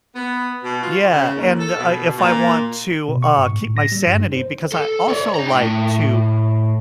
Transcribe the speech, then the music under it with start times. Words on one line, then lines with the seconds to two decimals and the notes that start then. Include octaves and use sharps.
Yeah, and, uh if I want to, uh, keep my sanity because I also like to
0.15 B3
0.63 B2
0.81 F4
1.10 C#3
1.36 D#2
1.58 A4
1.76 B2
2.17 A#2
3.08 B2
3.23 C#6
3.38 G#2
3.49 A#2
3.62 A2
3.77 A#6
3.92 G3
4.07 G2
4.21 D#4
4.32 C5
4.72 A4
5.09 C#5 D5
5.35 D4 A#5
5.48 A2 G5